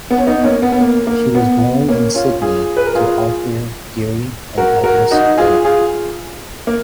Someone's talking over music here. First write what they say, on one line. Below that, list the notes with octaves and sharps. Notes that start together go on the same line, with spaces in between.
She was born in Sydney to Arthur Deery and Agnes Thorne.
B3
C#4
B3 D#4
A#3 C#4
B3
B3
A#3
A#3
B3
A#3 C#4
C#4 F4
F4 G#4
B4
A#4
F4 G#4
F#4 A#4
F#4 A#4
D#4 F#4
F4 G#4
F4 G#4
A#3